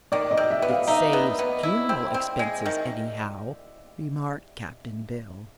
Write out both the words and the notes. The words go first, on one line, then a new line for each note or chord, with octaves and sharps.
"It saves funeral expenses, anyhow," remarked Cap'n Bill.
D#3 D5
D#5
C3
E5
B3
F5
D#4 E5
B3
B3
E4
C4
C4
G#3
D#3